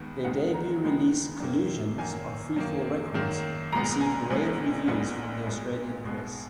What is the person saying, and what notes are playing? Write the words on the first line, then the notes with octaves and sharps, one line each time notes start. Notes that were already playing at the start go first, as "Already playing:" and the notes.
Their debut release "Collusions", on Freefall Records, received rave reviews from the Australian press.
Already playing: D#2 D#3 G#3 B3
D#2 D#3 G#3 B3 F#5
A#5
D#2 D#3 G#3 B3
F#2 D#3 A#3
F#2 D#3 A#3 G#5
F#2 D#3 A#3
F#2 D#3 A#3
B1 A#2 G#3 B3 A#5
G#5
B1 A#2 G#3 B3
B1 A#2 G#3 B3 F#5
B1 A#2 G#3 B3
B1 B2 G#3